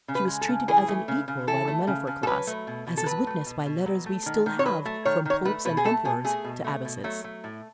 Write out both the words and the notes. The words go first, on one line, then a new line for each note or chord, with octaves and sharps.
She was treated as an equal by the men of her class, as is witnessed by letters we still have from popes and emperors to abbesses.
C#3
B4
G#3
A4
C#3
E3 G#4
A3
C#3
C#3
E3 A4
A3
C#3
C#3
A4
F#3 B4
A3
B2
B2
A4
F#3 B4
A3
B2
B2
F#3
A3
D#3
D#3
C#5
F#3 B4
A3
D#3 C#5
D#3 C#5
A3 B4
B2 B4
G#4
A3 A4
B2 G#4
A3 G#4
B2
A3
B2
F#3 A3
A3
A2